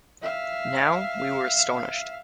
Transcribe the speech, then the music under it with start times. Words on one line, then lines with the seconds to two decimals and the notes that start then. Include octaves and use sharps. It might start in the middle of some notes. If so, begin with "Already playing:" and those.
Now we were astonished.
0.22 E5 F5